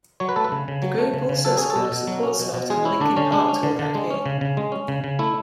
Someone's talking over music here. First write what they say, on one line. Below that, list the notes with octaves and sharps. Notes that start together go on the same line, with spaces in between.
The group also scored a support slot on a Linkin Park tour that year.
F#3 C#5
B4
A3 A4
B4
C#3
C#3
F#3
A3
C#3
C#3
F#3 A4
C#4 G#4
A4
B2
B2
F#3
C#4
B2
B2
G#3 G#4
C#4 E4
D3 D4
D3 C#4
G#3 D4
C#4
D3
D3
G#3
C#4
C#3
C#3
G#3
C#4
C#3
C#3
A3 E4